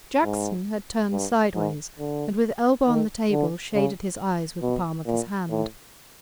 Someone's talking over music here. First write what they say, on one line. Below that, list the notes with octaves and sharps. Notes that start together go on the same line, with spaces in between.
Jackson had turned sideways, and with elbow on the table shaded his eyes with the palm of his hand.
G#2
G2
G#2
D3
D#3
D3
C#3
B2
A#2
A2